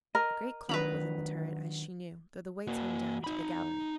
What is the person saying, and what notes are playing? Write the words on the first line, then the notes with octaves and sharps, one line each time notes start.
The great clock was in the turret, as she knew, though the weights hung down into the gallery.
A#4 D#5
D#3 F#3 D4 B4 A#5 B5
A#3 F#4
D#4 B5